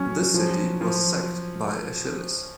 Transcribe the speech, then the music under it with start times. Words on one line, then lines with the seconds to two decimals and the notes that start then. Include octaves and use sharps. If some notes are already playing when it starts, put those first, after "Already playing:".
This city was sacked by Achilles.
Already playing: F#3 C#4
0.34 F3
0.81 F3